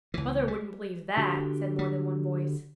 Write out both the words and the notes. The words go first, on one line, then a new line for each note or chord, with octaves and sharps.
'Mother wouldn't believe THAT,' said more than one voice.
C#2 E3
G3
D3 F#4 G4
G3